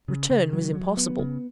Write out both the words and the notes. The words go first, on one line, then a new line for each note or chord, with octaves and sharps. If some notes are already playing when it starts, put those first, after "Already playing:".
Return was impossible.
C#3
C#3
F#3
F#3
B3
C#3